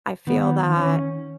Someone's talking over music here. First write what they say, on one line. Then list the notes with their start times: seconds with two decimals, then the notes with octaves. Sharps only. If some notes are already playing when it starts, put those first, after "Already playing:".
I feel that.
0.27 D#3 B3
0.76 C#4